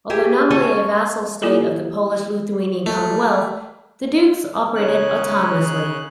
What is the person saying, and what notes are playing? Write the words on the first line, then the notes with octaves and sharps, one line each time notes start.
Although nominally a vassal state of the Polish-Lithuanian Commonwealth, the dukes operated autonomously.
G4 G#4 E5
C#4 A4 D#5 G#5
A#3 E4 F4 G4 A4
A3
C#3 D#4 C#5 F#6